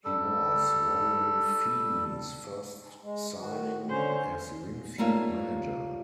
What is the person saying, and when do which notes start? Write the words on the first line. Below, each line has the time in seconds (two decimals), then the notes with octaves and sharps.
He was Warren Feeney's first signing as Linfield manager.
0.04 G3 A4
3.02 G#3
3.40 D#3 F#4
3.89 D3 C#4 C5 C#5
4.98 G3 A3 A#3 F4 C#5